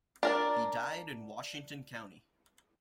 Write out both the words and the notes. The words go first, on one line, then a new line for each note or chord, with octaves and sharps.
He died in Washington County.
D4 A#4 D5